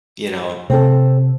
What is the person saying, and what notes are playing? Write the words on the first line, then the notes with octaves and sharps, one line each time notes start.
you know,
C3 C4 A4